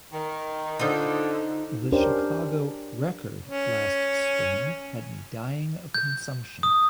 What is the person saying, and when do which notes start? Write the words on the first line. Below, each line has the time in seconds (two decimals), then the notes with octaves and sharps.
The Chicago "Record" last spring had me dying of consumption.
0.13 D#3
0.80 D3 D#4 F4 C5
1.92 C#4 D4 G4 A#4 C5
3.46 C#4
5.94 G6
6.63 D#6